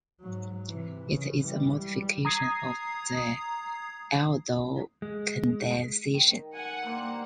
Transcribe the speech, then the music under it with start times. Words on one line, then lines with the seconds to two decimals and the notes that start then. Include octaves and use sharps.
It is a modification of the aldol condensation.
0.20 G#2 F#3
0.67 C3 E3
1.09 C#3
1.41 E3 G3
1.78 G3
2.25 A#5 D#6 G#6 C7
5.02 G#3
6.14 D#3
6.54 F#5 G#5
6.86 G2 A#3 C5